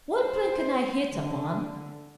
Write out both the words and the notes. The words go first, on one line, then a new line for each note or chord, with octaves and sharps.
What plan can I hit upon?
C5
D3